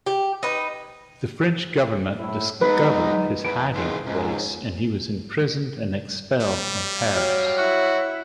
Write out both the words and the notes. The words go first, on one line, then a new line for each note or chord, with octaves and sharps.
The French government discovered his hiding-place, and he was imprisoned and expelled from Paris.
G4
D#4 B4
A2 E4
F#3 G#3 B3 D#4 B4
E2 B4 D7
G#1 E3 G#3 C5
C#2 G#2
G3
F#3 F5 G5
E4 F#4